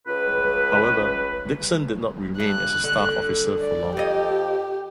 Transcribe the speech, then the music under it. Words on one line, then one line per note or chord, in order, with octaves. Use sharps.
However, Dickson did not remain as a staff officer for long.
C#2 B4
G2 F#6
D3
D5
F2 G4 D#5